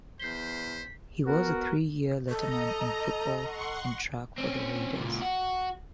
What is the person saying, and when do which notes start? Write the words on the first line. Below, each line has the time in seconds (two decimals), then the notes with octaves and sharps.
He was a three-year letterman in Football and Track for the Raiders.
0.20 E2 C5 G6 B6 C7 G7
1.26 B3 F#4 A#4
2.29 A4 D#5 A#5
3.40 F#5 C6 C#6
4.38 C4 C#4
4.97 C#2 A#2
5.22 F#4 F#5